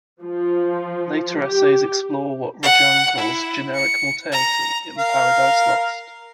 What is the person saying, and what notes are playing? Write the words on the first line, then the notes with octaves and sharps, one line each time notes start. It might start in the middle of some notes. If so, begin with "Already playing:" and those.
Later essays explore what Rajan calls "generic multeity" in "Paradise Lost".
F3
G4
F#5
E4
C#7
A#5
A#4 F5